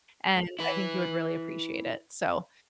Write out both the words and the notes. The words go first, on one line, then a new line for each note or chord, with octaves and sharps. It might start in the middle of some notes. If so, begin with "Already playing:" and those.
and I think you would really appreciate it. So,
E4 B4